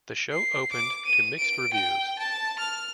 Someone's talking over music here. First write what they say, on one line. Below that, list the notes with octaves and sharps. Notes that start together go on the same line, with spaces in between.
The show opened to mixed reviews.
C7
D6
D#7
D7
G5
A5
F6